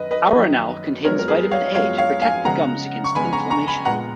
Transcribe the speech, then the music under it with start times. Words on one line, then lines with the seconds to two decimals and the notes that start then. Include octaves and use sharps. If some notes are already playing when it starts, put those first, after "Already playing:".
Aronal contains vitamin A to protect the gums against inflammation.
Already playing: F#2 D#3 B4 D#5
0.11 B4 D#5
0.35 F#2 D#3 A#3
1.04 F#2 F3 G#3 B3 A#4 C#5
1.19 A#4
1.28 G#4 B4
1.51 C#5 F5
1.75 F#2 F3 G#3 B3 C#5 F5
1.98 C#5 F5
2.22 F5 G#5
2.45 C#3 G#3 B3 F#5 A#5
3.04 C#6
3.15 C#3 G#3 B3 G#5 B5
3.33 A#5 C#6
3.50 A#5 C#6
3.68 G#5 B5
3.85 A#2 G#3 B3 F#5 A#5